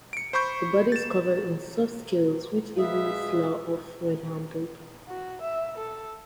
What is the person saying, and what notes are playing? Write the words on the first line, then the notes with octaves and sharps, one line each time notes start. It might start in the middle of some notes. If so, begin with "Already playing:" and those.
The body is covered in soft scales which easily slough off when handled.
C#7 D7
C5 B5 C#6 G6
A6 E7
G#3 B4 E5 F5 D#6
F#4
E5
A4